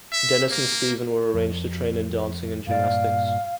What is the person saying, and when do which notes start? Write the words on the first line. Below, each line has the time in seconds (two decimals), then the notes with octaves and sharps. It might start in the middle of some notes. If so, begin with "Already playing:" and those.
Dennis and Steven were arranged to train in dancing and gymnastics.
0.12 E5
0.51 A#3
1.34 F2
2.67 G2 A#2 D5 F5